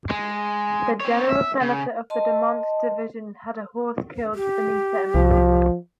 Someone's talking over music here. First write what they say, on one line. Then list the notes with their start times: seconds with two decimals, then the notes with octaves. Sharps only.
The general senator of the Demont division had a horse killed beneath him.
0.10 G#3
1.00 C4 C#5
1.29 E5
1.61 C#3
2.10 D#5 A5 C6
4.35 G4
5.15 C2 F3